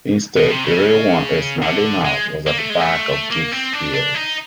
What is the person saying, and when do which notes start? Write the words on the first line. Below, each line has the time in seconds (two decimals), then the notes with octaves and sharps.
Instead, the real one-a "smiley mouth"-was at the back of Gig's ears.
0.37 B2
0.50 C3
0.65 C#3
1.62 D3
2.05 G#3
2.47 A#3
2.58 A3
2.70 G#3
2.81 A3
3.31 A#3
3.52 C4
3.73 D4
3.94 D4
4.15 D#4